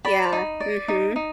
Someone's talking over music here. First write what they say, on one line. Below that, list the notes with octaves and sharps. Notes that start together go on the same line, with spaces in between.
Yeah, mhm.
D5 B5
D#4
D5
D#4
D#4